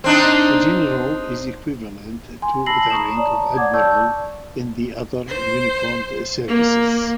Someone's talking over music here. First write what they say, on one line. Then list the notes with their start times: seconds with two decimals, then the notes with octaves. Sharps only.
General is equivalent to the rank of admiral in the other uniformed services.
0.04 C4 D4 D#4
2.42 G#5 C6
2.66 A5 B5 E6 A#6 C7 F#7
2.90 A#5 C#6 D#6 E7
3.15 C#5 D5 A5 A#5 D#6
3.57 C#5 D5 F#5 D6 G#6
3.74 D5 A5 C#6 E6 G6
5.27 C5
6.48 A#3